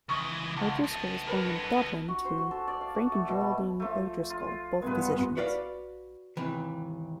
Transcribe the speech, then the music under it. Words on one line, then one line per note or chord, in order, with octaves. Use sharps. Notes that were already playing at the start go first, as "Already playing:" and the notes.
O'Driscoll was born in Dublin to Frank and Geraldine O'Driscoll, both physicians.
C#2 E3 C#6 D#6
C#2 F#5 A5
B3 A4
A#4 B4
F#4
C5
F#4
A4
D5
F5
F#4
A3
B2
B3
F3 A3
F4
G2 G#3 B3 B4
F#4 B4 D5 F5
D#2 G#2 C3 E3